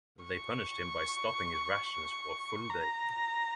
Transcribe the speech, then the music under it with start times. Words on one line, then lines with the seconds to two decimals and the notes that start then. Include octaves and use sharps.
They punished him by stopping his rations for a full day.
0.24 C#6
2.70 A#5